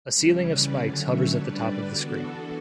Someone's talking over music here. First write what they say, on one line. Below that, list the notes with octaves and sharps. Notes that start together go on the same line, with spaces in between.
A ceiling of spikes hovers at the top of the screen.
C#3 E3 G3 C#4 G4 B4
B4 D5
D3 F#3 A3 C#4 D5 F#5
C#5 E5
D3 G3 D4 B4 D5
E3 B3 D4 F#4 A4